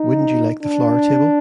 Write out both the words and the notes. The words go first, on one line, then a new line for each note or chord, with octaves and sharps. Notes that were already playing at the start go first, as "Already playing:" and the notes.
Wouldn't you like the flower-table?
Already playing: D#4
D4